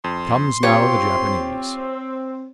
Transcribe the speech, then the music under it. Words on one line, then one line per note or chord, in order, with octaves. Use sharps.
Comes now the Japanese.
F2 C6
C4 F4 G4 C#5